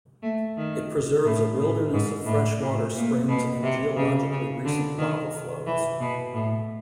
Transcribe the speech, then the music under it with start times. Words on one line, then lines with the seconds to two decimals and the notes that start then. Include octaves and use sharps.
It preserves a wilderness of freshwater springs and geologically recent lava flows.
0.22 A3
0.56 D#3
1.24 A2
1.58 A2
1.92 G#2
2.26 A2
2.60 A2
2.95 A#2
3.28 B2
3.62 C3
3.96 C#3
4.30 C#3
4.64 D3
4.98 D#3
5.66 E3
6.00 B2
6.33 A2